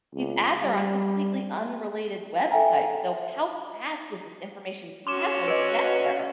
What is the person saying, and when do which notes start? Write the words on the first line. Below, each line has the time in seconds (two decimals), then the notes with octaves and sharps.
these ads are on completely unrelated websites, so how fast is this information traveling to get there?
0.14 C#2
0.63 G3
2.51 A4 E5 G5 G#5 A#5
5.07 C#4 F#4 C6 D6 E7
5.48 B4 D#5